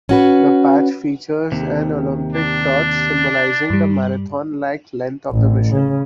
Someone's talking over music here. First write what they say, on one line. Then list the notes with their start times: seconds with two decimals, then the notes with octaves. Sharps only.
The patch features an Olympic torch, symbolizing the marathon-like length of the mission.
0.09 C#4 F#4 B4
1.52 D#2 C3
2.32 D4
3.70 G2 G3
5.31 A1
5.72 C#3